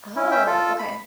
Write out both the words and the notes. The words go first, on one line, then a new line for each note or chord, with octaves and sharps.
Oh, okay.
C#4 E4
C#4 E5 G5
F4 A4
B5